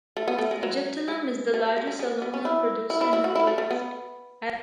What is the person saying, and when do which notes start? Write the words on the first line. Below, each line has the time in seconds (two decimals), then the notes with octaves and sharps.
Egyptalum is the largest aluminium producer in the Middle East.
0.17 A3
0.28 B3
0.38 A3
0.51 G#3
0.63 F#3
1.08 G#3
1.54 A3
1.66 G#3
1.77 G#3
1.87 G#3
1.99 G#3
2.22 B3
2.34 C#4
2.45 E4
2.90 E4
3.01 E4
3.13 E4
3.24 F#4
3.35 E4
3.47 A3
3.58 A3
3.71 B3